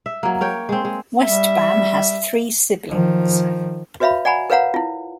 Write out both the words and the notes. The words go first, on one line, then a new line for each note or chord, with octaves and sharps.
Westbam has three siblings.
E5
F#3 A#3
A#4 C#5 G5
G#3 C4
G#3
G3 E5
D#3 F3
F#4 B4 C#5 E5 F5 B5
D5 F#5 G#5 A#5 B5
A#4 B4 C#5 F5 F#5 A#5
E4 F4